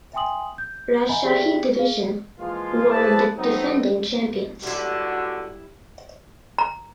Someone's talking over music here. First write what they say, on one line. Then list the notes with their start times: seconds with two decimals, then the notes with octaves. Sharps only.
Rajshahi Division were the defending champions.
0.13 E5 G5 G#5 C6 D#6 F#7
0.58 G6
1.09 D#5 E5 F#5 G#5 A#5 B5
1.24 G4 G#4 D5 E5 G5 B6
1.75 G#4 F5
2.39 E3 F3 G#3 A#3 F4
2.90 E4 G#4 B4 C5 D5 A5
3.37 F#3 A3 B3 C4 D#4
4.63 C#2 D3 G3 E4 F#4
6.58 A#5